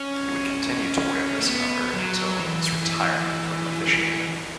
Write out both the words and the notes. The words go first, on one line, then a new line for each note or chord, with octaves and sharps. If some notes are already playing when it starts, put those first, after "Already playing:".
He would continue to wear this number until his retirement from officiating.
Already playing: C#4
A3
B3
F#3
E3